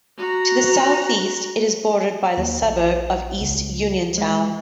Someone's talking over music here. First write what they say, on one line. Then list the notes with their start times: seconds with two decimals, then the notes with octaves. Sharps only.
To the southeast it is bordered by the suburb of East Uniontown.
0.18 F#4 A#5
2.37 D#2
2.62 A#1
3.41 C#2
4.18 G#3